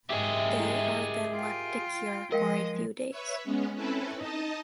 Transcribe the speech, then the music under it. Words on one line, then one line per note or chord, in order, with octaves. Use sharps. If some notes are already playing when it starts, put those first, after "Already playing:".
They are then left to cure for a few days.
G#2 G4 G#4 A#4 D#5 E5
E4
F4 G5
F3 G#3 A#4 D#5 F5 G5
B4 C#5 E5
G#3 B3 C#4
C4 C#4 E4 A4 B4
D#4 D#5 A5